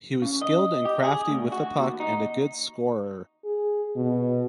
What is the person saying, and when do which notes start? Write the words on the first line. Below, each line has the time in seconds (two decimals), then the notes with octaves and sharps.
He was skilled and crafty with the puck and a good scorer.
0.22 C#3
0.41 D#5
0.85 G4
1.03 G#4
1.29 D2
1.52 F#4
1.78 D#2
2.00 D#4
3.45 G#4
3.96 B2